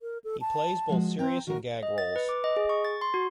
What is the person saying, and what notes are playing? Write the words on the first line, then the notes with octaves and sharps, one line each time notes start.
He plays both serious and gag roles.
A#4
A4
A5
F3 G#3 F#4
C4 G5 A#5
D#3 F#4 A#4
D#5
A6
B4
D6
D#5
G#4
C#6
A6
C6
F#4